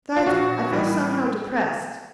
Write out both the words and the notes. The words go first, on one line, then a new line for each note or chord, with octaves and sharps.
"Besides I feel somehow depressed."
F4
A#1 F#4
A2 E3 G3 A#3